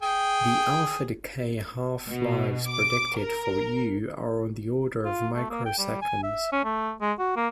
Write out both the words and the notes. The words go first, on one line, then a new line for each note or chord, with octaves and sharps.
The alpha-decay half-lives predicted for Uue are on the order of microseconds.
G#4 G5
B2
D6
A#4
F4
A3
A#3
G5
G3
G#5
E5
C#4
A3
G#3
F#4
A#3